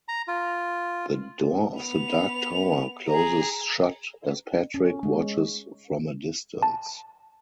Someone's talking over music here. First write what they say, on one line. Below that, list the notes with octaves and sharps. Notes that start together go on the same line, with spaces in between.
The door of the Dark Tower closes shut as Patrick watches from a distance.
A#5
F4
B3 F7
G#4 A#5
C#4
G#3
A5